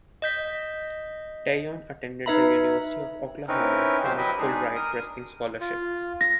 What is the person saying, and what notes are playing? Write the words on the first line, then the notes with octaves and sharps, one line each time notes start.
Teyon attended the University of Oklahoma on a full ride wrestling scholarship.
D#5 G6 B6
D#4 B4 E5 A#5 B5
C4 C#4 D#4 E4 A#4 B4
D3 F#3 G4 C5
F#3 E4 G4 B4 D#5 E5
G#3 D4 D#4 G#4
A#4 D#6
F4
A#6